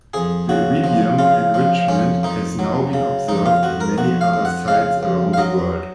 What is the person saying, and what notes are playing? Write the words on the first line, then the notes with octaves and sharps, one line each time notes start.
This iridium enrichment has now been observed in many other sites around the world.
F2 G#4
C#3 F#4
F3
C#3 F4
F3
F2 C#4
F2 D#4
F#3
C#3
F2 D#4
F4
F2 F#4
A#4
F2 F#4
F5
F2
F#5
C#3 F5
F2
F5
F#3 D#5